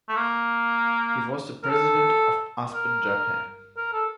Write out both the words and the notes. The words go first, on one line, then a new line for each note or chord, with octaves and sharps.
He was the President of Aspen Japan.
A3
A#3
A#4
A4
A#4
A#4
A4